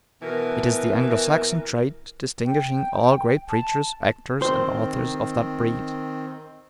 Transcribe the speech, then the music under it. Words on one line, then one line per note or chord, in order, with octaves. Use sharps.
It is the Anglo-Saxon trait, distinguishing all great preachers, actors, and authors of that breed.
B2 E3 A#4
G5
A5
D#3 C4 C5